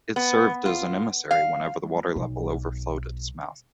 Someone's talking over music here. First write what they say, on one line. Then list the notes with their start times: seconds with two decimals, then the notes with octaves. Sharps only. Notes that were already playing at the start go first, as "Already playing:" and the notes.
It served as an emissary whenever the water level overflowed its mouth.
0.16 B3
0.66 F4
1.31 F5
2.16 B1